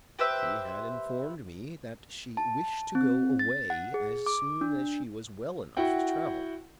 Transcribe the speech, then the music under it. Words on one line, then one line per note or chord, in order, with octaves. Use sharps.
She had informed me that she wished to go away as soon as she was well enough to travel.
G4 B4 C5 E5
A5
C4
A6
F#5
G#4
D6
D4
E4 F#4 F#5 G5